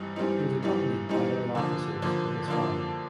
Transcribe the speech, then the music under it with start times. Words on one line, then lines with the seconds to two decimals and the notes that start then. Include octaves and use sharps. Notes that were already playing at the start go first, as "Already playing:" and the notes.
He was accompanied by other officers of the squadron.
Already playing: G2 E3 G3 C4 D#4
0.16 G2 E3 G3 C4 D#4
0.63 G2 E3 G3 C4 D#4
1.09 G2 E3 G3 C4 D#4
1.55 D3 F3 A#3 D4
2.02 D3 F3 A#3 D4
2.48 D3 F3 A#3 D4